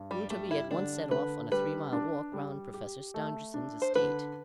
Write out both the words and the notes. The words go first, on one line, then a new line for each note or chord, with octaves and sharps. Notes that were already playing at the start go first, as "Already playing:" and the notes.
Rouletabille at once set off on a three mile walk round Professor Stangerson's estate.
Already playing: G2
G3
G3 A3
E4
D3 D4
D3 B4
G3 B4
D4
G3
G4
A3
D4
C5
D3 B4